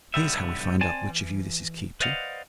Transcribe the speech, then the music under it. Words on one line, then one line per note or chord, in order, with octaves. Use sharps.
"Here's how we find out which of you this is keyed to."
B1 G#2 D3 G3 B3 E5
C4 D5 G#5 A5
E3
B4 C5 D5 D#5 F5 F#5